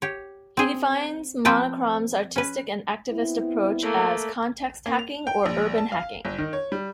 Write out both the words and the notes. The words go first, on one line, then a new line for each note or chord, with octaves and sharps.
He defines monochrom's artistic and activist approach as 'Context hacking' or 'Urban Hacking'.
G4 C#5
C4 G#4
F3 C4 B4 G5 A5
C#4 B4
B3 C4 E4
A3 A#3
A#3
F7
G5
A#1
A5
F5
G1
D#3
C#5
G3